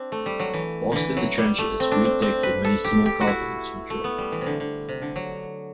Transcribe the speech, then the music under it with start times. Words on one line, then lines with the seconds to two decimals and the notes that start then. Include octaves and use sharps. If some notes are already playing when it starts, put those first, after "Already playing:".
Whilst in the trenches Reid Dick did many small carvings from chalk.
Already playing: C4 D4
0.12 A3
0.26 G3
0.40 F#3
0.54 E3
0.92 D3 E3
1.17 F#3
1.38 G3
1.59 A3
1.80 C4
1.92 D4
2.05 C4
2.22 C4
2.43 B4
2.65 A4
2.84 G4
3.06 G4
3.21 F#4
3.27 E4
3.90 A3
4.04 B3
4.18 G3
4.32 E3
4.41 C3
4.46 D3
4.60 D3
4.89 C3
5.02 D3
5.16 F#3